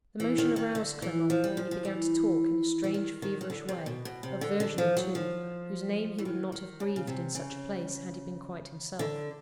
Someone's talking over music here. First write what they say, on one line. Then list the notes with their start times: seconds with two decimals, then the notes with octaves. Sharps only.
The motion aroused Clement, and he began to talk in a strange, feverish way, of Virginie, too,--whose name he would not have breathed in such a place had he been quite himself.
0.20 E3
0.38 D#3
0.56 D#3
0.75 D3
1.02 E3
1.30 F3
1.44 G3
1.57 F3
1.71 F3
1.85 E3
2.84 E3
2.94 D#3
3.22 D#3
3.41 D#3
3.50 D3
3.69 C3
3.86 B2
4.05 B2
4.23 C3
4.41 D3
4.60 D3
4.78 F3
4.97 F#3
5.15 F3
6.18 E3
6.25 D#3
6.52 D#3
6.80 C#3
6.96 C#3
7.07 C3
7.35 C#3
8.99 D3